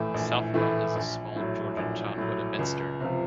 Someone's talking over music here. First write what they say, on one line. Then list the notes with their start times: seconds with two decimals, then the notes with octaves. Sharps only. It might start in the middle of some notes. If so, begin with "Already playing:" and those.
Southwell is a small Georgian town with a Minster.
Already playing: A#1 A2 E3 A3
0.14 A#1
0.54 A2 E3 A3
0.95 A#1
1.36 A2 F#3
1.77 A#1
2.18 A2 F#3
2.59 C#2
3.00 C3 F3